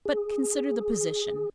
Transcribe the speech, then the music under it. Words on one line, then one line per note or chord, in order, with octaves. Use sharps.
But consider the position.
G#4